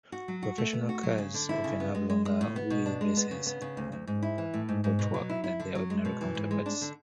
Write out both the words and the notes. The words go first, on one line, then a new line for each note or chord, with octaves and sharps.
Professional cars often have longer wheelbases, and longer coachwork than their ordinary counterparts.
F#4
F#3
F#4
A3
B3
F#4
F#3
C#3
D3
E4
C#3
B3
G#3
G#3
G#3
A2
B3
B2
D4
G#3
B3
C#3
B3
C#3
D2
D2
G#2
E4
E3
A2
G#2
G#2
B2
F#3
E4
E4
D3
F#3
G#3
B2
E3
G#2
G#3
D4
D3